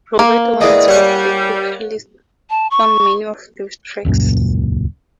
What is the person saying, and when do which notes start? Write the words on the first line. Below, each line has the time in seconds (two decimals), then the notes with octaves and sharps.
Robert Owens was the vocalist on many of those tracks.
0.19 A#3
0.61 A2 E3 G#3 G#4 D5 D#5
0.88 G3 C#5 F#5 G#5
2.50 A5
2.71 C#6
4.05 D#1 C#2 F#2 A#2